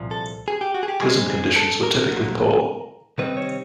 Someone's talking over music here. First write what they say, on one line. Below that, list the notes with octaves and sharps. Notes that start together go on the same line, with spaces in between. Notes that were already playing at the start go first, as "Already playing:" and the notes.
Prison conditions were typically poor.
Already playing: C2 A#2 F3
A4
G#4
G4
F#4
G#4
G4
A#2 G3 C4 D#4 G#4
G#4
A4
A#4
B1 A#2 F#3
C3 D#3 G3 C4 D#4 B4
C#5